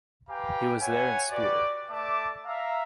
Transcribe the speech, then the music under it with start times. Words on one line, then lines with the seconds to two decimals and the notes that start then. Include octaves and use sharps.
He was there in spirit.
0.29 G4 B4 F5 G5 G#5 A#5
0.80 B4 C#5 E5 F#5 G#5
1.30 F#4 G4 B4 D5
1.89 A3 D5 E5 A5 D6
2.45 E5 F5 A#5